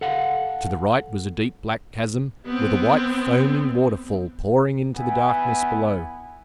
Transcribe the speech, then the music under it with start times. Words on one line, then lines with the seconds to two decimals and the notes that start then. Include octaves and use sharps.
To the right was a deep black chasm, with a white foaming waterfall pouring into the darkness below.
0.01 A4 F5 F#5
2.46 B3 C4
4.95 B3 E4 F#5 G#5